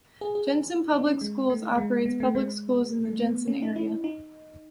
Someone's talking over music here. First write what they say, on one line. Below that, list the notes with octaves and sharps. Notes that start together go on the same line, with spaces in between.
Jenison Public Schools operates public schools in the Jenison area.
G#4
G#4
D#4
C#4
G#3
A3
G#3
B3
A3
G#3
A3
B3
C#4
D#4
E4
D#4